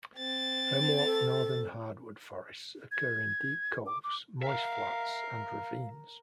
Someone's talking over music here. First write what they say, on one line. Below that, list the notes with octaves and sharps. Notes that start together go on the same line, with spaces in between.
Hemlock-northern hardwood forests occur in deep coves, moist flats, and ravines.
C4 A6
A4
G#6
D6
D6
A#4 E5 F5